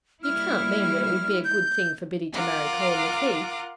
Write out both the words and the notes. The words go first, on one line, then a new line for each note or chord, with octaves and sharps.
'You can't mean that it would be a good thing for Biddy to marry Colin McKeith?'
G3 A#3 E4 F6
G6
F4 A#4 F#5 D6